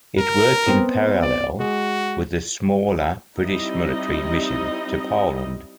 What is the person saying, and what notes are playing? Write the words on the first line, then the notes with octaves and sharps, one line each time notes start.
It worked in parallel with the smaller British Military Mission to Poland.
A#4
B3 C4 G5
D5
G#3 F#4
G3 C4 D#4 E4 D#5